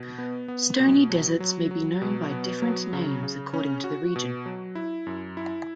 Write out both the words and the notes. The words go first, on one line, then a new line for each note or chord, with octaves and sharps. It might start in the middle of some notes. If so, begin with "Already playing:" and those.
Stony deserts may be known by different names according to the region.
Already playing: B2
B3
B3
B2
F#3
F#3
F#3
B2
B3
F#3
C#3
C#3
C#4
F#4
B2
F#3
E4
F#2
E4